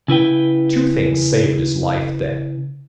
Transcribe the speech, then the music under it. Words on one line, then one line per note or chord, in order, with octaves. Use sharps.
Two things saved his life then.
C#3 E4 B4 G5